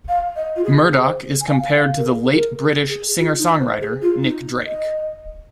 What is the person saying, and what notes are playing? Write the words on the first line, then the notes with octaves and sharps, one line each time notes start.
Murdoch is compared to the late British singer-songwriter Nick Drake.
F5
D#5
F4
G#4
C5
G#5
F5
F5
A#4
G#4
A#4
G#4
G#4
F4
D#4
C5
G#4
F4
D#4
D#5